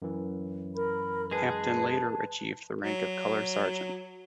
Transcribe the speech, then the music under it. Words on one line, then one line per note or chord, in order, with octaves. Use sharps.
Hampton later achieved the rank of colour sergeant.
F#2 E3
A#4 B5
G#3 G#4 B4 A5
F#3